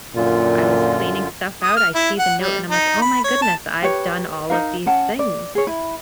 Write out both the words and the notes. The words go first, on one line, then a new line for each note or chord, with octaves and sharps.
I was cleaning stuff out. I see the note, and I'm, like, "Oh my goodness. I've done all of these things."
F#2 A#2 D3 F4
D#6
F6
E4
F#5
G3
D#4
B5
C#5
A5
G4 B4 C#5
D#4 A#4 F5
C#4 F#5 A5
D5
G#4 C#5
E4